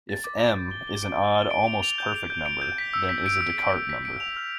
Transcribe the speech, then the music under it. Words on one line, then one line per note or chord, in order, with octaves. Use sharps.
If "m" is an odd almost perfect number then is a Descartes number.
A6
D6
D7
G6
G7
G7
D7
D7
G7
D7
F7
F7
G6
F7
G6
D7
G6
B6
E6
B6
D7
E6
D7
D7
B6
D7
F7
F6